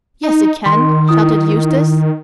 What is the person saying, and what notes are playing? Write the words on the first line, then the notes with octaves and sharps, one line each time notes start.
"Yes, it can," shouted Eustace.
D#4
D#3 C6
E4 D#6